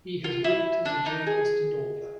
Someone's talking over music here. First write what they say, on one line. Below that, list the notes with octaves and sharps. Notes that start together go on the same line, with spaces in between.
He has worked as a journalist and author.
F4
E4
D4
D#4
G#4